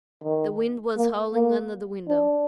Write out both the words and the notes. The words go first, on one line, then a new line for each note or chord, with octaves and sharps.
The wind was howling under the window.
D#3
A#3
A#3
D4